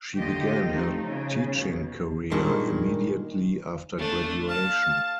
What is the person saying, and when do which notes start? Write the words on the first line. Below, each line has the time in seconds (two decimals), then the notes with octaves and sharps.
She began her teaching career immediately after graduation.
0.16 D3 A3 F4 G4 D#5
0.65 F3 A3 C4 D#4
1.06 C#3
1.58 B2
2.32 G2 A#2 D#3 G#3
3.98 A3 D4
4.49 F5 A5